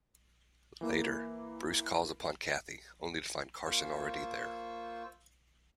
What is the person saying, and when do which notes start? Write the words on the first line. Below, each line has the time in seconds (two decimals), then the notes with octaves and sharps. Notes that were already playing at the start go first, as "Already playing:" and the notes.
Later, Bruce calls upon Kathy, only to find Carson already there.
0.81 E3 A#3
3.66 A#3 F4 C5 C#6 E6